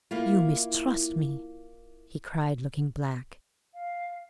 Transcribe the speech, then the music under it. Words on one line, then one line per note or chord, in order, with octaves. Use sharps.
'You mistrust me?' he cried, looking black.
A#3 E4 F4
F5